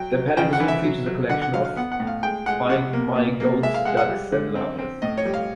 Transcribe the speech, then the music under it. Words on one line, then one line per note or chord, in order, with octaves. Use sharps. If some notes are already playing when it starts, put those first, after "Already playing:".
The petting zoo features a collection of pygmy goats, ducks, and llamas.
Already playing: F#3 G5
F#3
C#3 G5
F#5
E3
E5
F#3
F#3
D3 F#5
F#5
F#3 F5
F5
B3 F#5
F#5
A2
F5
G#3 G5
G#3 F#5
C3 F#5
A#3
A#2
A#3
G#3 E5
F5
G#3 F#5
F#5
G3
D3
C4
C4
A2 D#5
C#5
G3
F5